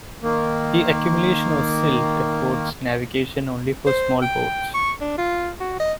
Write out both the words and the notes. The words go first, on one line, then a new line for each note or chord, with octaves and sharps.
The accumulation of silt affords navigation only for small boats.
D#3 A#3
C5
G5
C#6
D4
F4
F#4
D#5